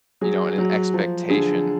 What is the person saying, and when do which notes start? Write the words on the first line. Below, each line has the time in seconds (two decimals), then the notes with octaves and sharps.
you know, and an expectation,
0.21 F#3 G#4
0.58 F#3
0.94 F3
1.30 D3 G#4